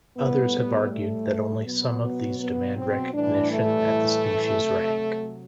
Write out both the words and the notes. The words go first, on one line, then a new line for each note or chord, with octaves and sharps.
Others have argued that only some of these demand recognition at the species rank.
A2 G3 B3
A3
B2 F#3 B3
B3
B3
C4
A2 E3 G3 D4
A3
C3 F#3